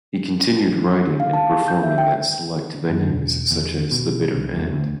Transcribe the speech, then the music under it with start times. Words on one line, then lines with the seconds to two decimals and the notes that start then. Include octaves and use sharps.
He continued writing and performing at select venues, such as The Bitter End.
1.20 F5
1.33 A5
1.68 G6
1.83 E5
1.98 G5
2.90 F#2
3.10 E1
3.51 E2
3.91 B2
4.35 C2
4.57 E2
4.73 D2